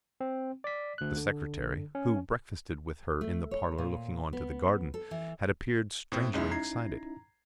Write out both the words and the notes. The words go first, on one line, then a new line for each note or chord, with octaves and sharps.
The secretary, who breakfasted with her in the parlour looking on to the garden, had appeared strangely excited.
C4
D5 B6
D2 F#6
D3
C#4
A3
C#5
A#2
B3
A4
E3
A2 C4
B1 G#3 C#4 D#4 E4
A#5 G#6 C7